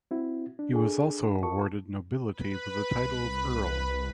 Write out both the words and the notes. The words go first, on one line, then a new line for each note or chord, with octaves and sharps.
He also was awarded nobility with the title of earl.
C4 E4 F#4
D4
G#4 A4 G#5
F4 F#4 A#4 A5 C#6
B4 B5
C2